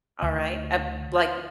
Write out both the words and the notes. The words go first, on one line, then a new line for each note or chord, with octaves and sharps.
All right. Uh like,
D2